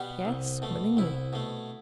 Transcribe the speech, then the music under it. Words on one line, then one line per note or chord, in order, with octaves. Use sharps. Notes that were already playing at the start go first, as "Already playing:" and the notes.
"Yes, willingly."
Already playing: B2 G3 B3
C2
B2 A3
C2 E4
B2 A3